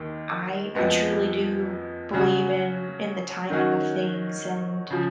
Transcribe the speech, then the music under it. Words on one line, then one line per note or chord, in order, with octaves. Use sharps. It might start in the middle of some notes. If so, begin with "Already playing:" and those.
I I truly do believe in in the timing of things, and,
Already playing: D#2 D#3
F2 F3 G#3 B3
C#3 F#3 C#4 F#4
D#3 F#3 C#4 F#4
C#3 F3